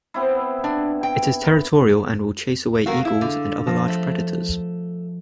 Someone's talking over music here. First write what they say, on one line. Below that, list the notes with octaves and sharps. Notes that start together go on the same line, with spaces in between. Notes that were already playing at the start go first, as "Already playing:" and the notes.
It is territorial and will chase away eagles and other large predators.
B3 C4 E4
D4
G5
A3 F#4 G#4 A#4 F5
E4
D3
F3 A5 A#6
A3